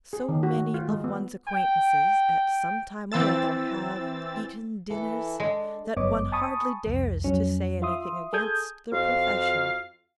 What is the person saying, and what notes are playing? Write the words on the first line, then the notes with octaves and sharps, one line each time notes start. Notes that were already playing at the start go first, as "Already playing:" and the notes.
So many of one's acquaintances at some time or other have "eaten dinners" that one hardly dares to say anything against the profession.
G#4
D#3
F#4
A3
F4
G#3
B3
G5
E3 C4 E6 A6
E3 A4
G#3 D4
G1 F#2 B3 C#5 D#5 D6
G#5 A5 B5 C#6 D#6
C2 F2
F2 F#3 C#4
F4 E5 C6 D#6
G#4 A4 D#6 G6 G#6
F2 F#4 F5